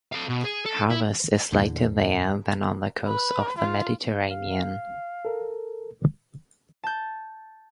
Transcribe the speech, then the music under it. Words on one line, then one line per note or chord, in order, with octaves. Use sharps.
Harvest is later there than on the coasts of the Mediterranean.
A4 F5
B2
G#4
A4
E4
E2 A#2 D3
B4
F4
F5
A4 A#4
A5 G6